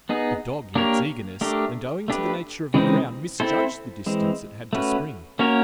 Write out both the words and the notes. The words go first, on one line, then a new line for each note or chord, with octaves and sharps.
The dog in its eagerness, and owing to the nature of the ground, misjudged the distance it had to spring.
B3 D#4 G#4
A#3 D4 G4 A#4 C#5
A3 D4 G4 A#4
A3 D4 G4 B4
C#3 E3 G#3 C4 D#4
C4 E4 A4 C5
E3 G#3 C4
A3 C#4 F#4 B4
A#3 C#4 F#4 A#4 C#5